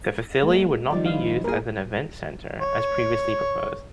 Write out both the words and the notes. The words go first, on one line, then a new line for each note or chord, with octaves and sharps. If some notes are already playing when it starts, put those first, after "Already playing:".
The facility would not be used as an event centre, as previously proposed.
G#3 A#3
D#3 F3 G3 D5
E4 F4 F5
A#2 G#4 A#4
C#5